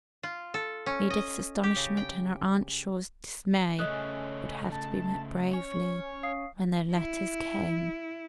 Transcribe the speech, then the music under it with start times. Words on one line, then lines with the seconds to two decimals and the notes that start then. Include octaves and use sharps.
Edith's astonishment and her aunt Shaw's dismay would have to be met bravely, when their letters came.
0.23 F4
0.54 A4
0.86 C#4
1.10 D#5
1.63 G4
1.76 C#3
1.97 G5
3.79 C#3 A3 C#4 D#5 D#6 F#6
4.72 A5
5.53 C#4 C#5
6.23 F5 D#6 C7
6.93 E4